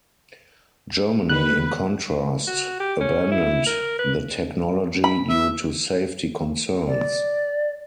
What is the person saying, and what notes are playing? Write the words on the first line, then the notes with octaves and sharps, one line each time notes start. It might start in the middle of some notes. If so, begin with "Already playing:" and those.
Germany, in contrast, abandoned the technology due to safety concerns.
D3 D#3 B4 F#6
F#4
G4
C#4
E4
A#4
B4
B5
E5
D5